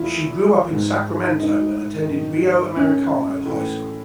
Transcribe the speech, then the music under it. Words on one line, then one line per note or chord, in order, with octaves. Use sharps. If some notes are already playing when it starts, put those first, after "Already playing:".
She grew up in Sacramento and attended Rio Americano High School.
Already playing: E2 E4 F4
G#2 E3
D#4
F#2 D#3
C#4
A2 E3